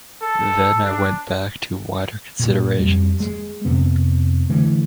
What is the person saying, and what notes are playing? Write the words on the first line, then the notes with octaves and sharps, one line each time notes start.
Then I went back to wider considerations.
A4
D4
A#2
F2 G3
G#3
F2 C3 B3
D3 E3 A3